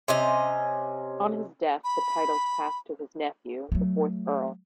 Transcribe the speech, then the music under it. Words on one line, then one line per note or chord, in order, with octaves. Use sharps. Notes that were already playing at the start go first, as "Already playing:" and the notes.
On his death the titles passed to his nephew, the fourth Earl.
C3 C#4 D#5
B5
F#3 A3